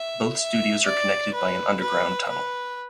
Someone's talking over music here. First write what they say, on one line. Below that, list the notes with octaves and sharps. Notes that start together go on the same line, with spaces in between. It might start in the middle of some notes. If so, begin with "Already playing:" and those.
Both studios are connected by an underground tunnel.
Already playing: E5
E5
D5
B4
B4
B4